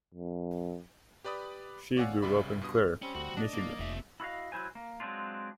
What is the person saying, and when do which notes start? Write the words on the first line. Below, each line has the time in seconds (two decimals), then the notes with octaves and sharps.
She grew up in Clare, Michigan.
0.14 F2
1.24 G4 B4 D5 B5 D#6
1.97 C#5 D5 F5 F#5 G#5 E6
2.22 C2 C#3 D5 E5 B5
2.61 G2 B2 D#6
3.02 G3 C4 C#4
3.15 D2 F#4
3.37 D4 D5 D#5
3.54 A#3
3.79 F1 A#3 E5
4.20 E4 F#4 A4 D#5 F5
4.52 F#3 E4 C5 G#5
4.75 A#3
5.00 F#3 G#3 A#3 C4 D4 F4